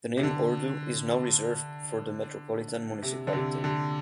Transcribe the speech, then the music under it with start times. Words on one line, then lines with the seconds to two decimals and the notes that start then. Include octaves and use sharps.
The name Ordu is now reserved for the metropolitan municipality.
0.17 C3
0.23 D3
3.02 C3
3.27 D3
3.33 C3
3.64 D3